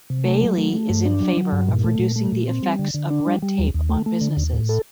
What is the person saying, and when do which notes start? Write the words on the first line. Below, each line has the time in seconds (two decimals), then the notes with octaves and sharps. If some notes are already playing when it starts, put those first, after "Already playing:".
Baillie is in favour of reducing the effects of red tape on businesses.
0.10 C3
0.25 A3
0.41 F#3
0.57 A3
0.73 A3
0.89 G2
1.05 D4
1.20 F#3
1.37 F#3
1.52 G2
1.68 A#2
1.84 A3
1.99 A#2
2.16 A3
2.32 A#2
2.48 C4
2.63 G3
2.79 D3
2.94 D3
3.10 D4
3.27 G3
3.42 G3
3.59 D#2
3.74 D#2
3.89 A3
4.06 A3
4.21 D3
4.37 D#2
4.53 A2
4.69 A4